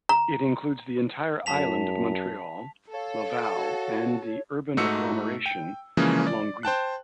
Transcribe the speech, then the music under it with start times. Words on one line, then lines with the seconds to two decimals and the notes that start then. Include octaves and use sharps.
It includes the entire Island of Montreal, Laval, and the Urban Agglomeration of Longueuil.
0.09 A#5
1.46 F#2 A5 B6 F7
2.94 A4 C#5 F5
3.54 F#4
4.77 G#2 A3 D#4 F#4 E6 C#7
5.46 G5
5.97 C#3 E3 F3 G#3 A#3 C#4
6.27 D5
6.63 C5 G5 A5 F#6